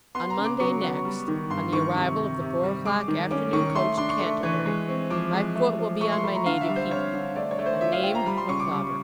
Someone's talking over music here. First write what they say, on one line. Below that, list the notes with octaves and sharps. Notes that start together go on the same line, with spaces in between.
On Monday next, on the arrival of the four o'clock afternoon coach at Canterbury, my foot will be on my native heath--my name, Micawber!'
B3 C6
A#5
C#3
D6
F#3 C#6
B3
G3
D#3
G2 C6
D#3 C#6
C3
C3
C3
G3
G#3 D6
D#3
C#4 D6
D#3 C#6
A3 C6
D4 C6
C#6
A3
E3
G#3
C4
F3 D6
G#3
A3
F3
A3 C#6
C6
A3 B5
A#5
D3 F5
E5
G3
C5
C4 C#5
D3
A3 D5
C#5
A3
C5
F4 E5
F5
F4 G5
A#5
G3 B5
C6
C#3 C#6
D6
G3